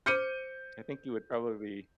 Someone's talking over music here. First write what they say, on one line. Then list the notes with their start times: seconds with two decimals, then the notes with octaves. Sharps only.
I think you would probably
0.06 C5 D6 F6 G6 C#7 D#7